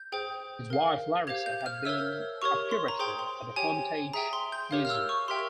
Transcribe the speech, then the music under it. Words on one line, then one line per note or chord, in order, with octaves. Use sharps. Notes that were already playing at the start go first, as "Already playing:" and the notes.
His wife, Larissa, had been a curator at the Hermitage Museum.
Already playing: G6
G#4 C5 G5
A#4 F5
G4 C5 F5 G#6
G6
G6
F6
A#4 C#5 E5 E6
G4 A#4 C#5 C#6
C6
A#5
G#4 C5 G5 C6
C6
G4 C#5 G5 G#5
G#4 E5 G5 A#5
C6
G6
G4 A#4 C#5 F5
F6
E6
C#6
G4 A#4 E5 G5 C6